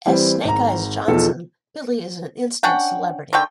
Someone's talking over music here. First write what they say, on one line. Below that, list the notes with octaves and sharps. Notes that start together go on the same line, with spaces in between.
As Snake Eyes Johnson, Billy is an instant celebrity.
E3 G3 C4
G#1 A#5
B1 E2 F3 A4
C#4 D4 F#5 G5
D3 D#3 A3 G5